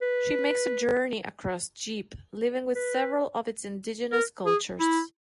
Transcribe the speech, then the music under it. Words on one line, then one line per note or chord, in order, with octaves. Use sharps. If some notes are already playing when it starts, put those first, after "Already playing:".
She makes a journey across Jeep, living with several of its indigenous cultures.
B4
B4
A#4
G#4
E4